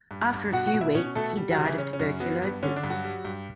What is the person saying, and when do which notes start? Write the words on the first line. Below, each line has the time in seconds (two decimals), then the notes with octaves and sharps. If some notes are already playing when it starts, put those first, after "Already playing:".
After a few weeks, he died of tuberculosis.
0.11 G2
0.33 G2
0.53 B2 F#4 F#5
0.67 F#4 F#5
0.74 B2
0.81 E4 E5
0.94 B2 C#4 C#5
1.15 B2 A3 A4
1.37 G3
1.51 F#3 F#4
1.58 C#3
1.64 E3 E4
1.78 C#3 C#4
1.93 C#4
2.00 F#2
2.06 C#4
2.20 F#3 B3
2.42 G2 B3
2.63 D3 C#4
2.76 D3 D4
2.83 G2
2.90 F#3 F#4
3.04 G3
3.25 G2